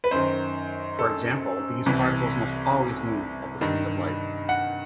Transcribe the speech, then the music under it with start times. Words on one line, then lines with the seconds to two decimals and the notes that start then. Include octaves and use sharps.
For example, these particles must always move at the speed of light.
0.04 B4
0.11 F#2 D#3 C5
0.99 A4
1.86 C2 C3 E3
3.61 G2 D#3
4.49 F#5